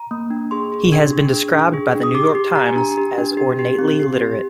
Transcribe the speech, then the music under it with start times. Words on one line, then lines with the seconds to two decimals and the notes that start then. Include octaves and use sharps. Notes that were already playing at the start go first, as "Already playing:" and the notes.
He has been described by The New York Times as ornately literate.
Already playing: A#5
0.11 A#3
0.30 D4
0.51 G#4 C6
0.72 G#4
0.92 D4
1.13 G#4
1.33 D4
1.54 D4
1.74 G#4
1.95 D4
2.03 D#6
2.14 G4 D6
2.35 G4
2.55 G4 A#5
2.66 G#5
2.76 D4 A#5
2.98 G4
3.18 D4
3.37 G4
3.59 G4
3.79 C4
3.99 G4
4.19 G4